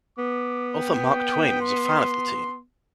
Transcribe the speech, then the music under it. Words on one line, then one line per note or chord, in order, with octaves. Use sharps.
Author Mark Twain was a fan of the team.
B3 D6
G5
C6